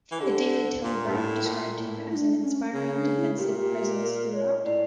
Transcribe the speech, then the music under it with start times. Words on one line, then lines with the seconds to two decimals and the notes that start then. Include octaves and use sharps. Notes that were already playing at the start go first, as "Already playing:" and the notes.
The "Daily Telegraph" described him as "an inspiring defensive presence throughout".
0.12 E3
0.20 D3 G4 A4
0.83 A#2
1.08 G2
1.15 A2
1.46 A#2
1.78 A2
2.11 E4
2.15 D4
2.42 C#4
2.74 C#3 C#4
2.95 D4
3.17 E4
3.37 A#2 G4
3.59 G4
3.80 G4
4.01 A#4
4.32 D5
4.36 C#5
4.64 A2 D5